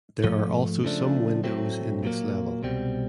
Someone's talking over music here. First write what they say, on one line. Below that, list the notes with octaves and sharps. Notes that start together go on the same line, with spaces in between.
There are also some windows in this level.
G#2 F3 A3
C#3 F3 A3 D4
A2 F#3 A3 C4
A#2 F#3 A#3
C2 B2 G3 C4